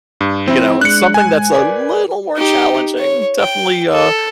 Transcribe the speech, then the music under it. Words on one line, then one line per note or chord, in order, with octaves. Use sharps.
you know, it's something that's a little more challenging, definitely, uh,
G2
F3 C4 E4
G#3 D4 F#6 C#7
G#2 G#5
A#4 B4 D5
D#4 G4
C#5
G5
A4